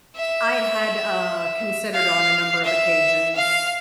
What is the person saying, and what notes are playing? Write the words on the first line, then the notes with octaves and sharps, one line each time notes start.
I had, uh considered on a number of occasions
E5
F5
E5
F5